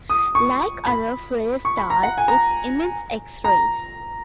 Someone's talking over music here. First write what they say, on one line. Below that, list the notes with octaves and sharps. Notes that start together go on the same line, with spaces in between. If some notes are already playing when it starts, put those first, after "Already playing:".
Like other flare stars, it emits X-rays.
D#6
C#6
B5
C#6
B5
A#5
F#5
G#5
A#5
A#5